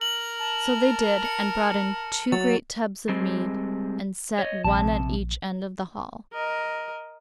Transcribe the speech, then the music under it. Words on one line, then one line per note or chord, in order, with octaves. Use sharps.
So they did and brought in two great tubs of mead and set one at each end of the hall.
A#4 F#7
A5
C#7
F#3 A6
G3 G#3 C4
C#5 D#5
A#1 C3 A5
A#4 D#5